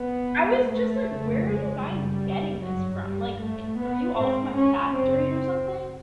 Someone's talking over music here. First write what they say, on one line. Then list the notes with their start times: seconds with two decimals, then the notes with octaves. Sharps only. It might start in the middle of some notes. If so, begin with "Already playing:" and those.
I was just like, "Where are you guys getting this from?" like, it "Are you all from a factory or something?"
Already playing: B3
0.30 G#2
0.69 A3
1.08 F2 C#3
1.47 G#3
1.85 F#2 C#3 G3
2.62 G2 F#3
3.02 G3
3.39 G#2 A3
3.79 B3
4.17 G#2 C4
4.56 C#4
4.94 F#2 C#3 C4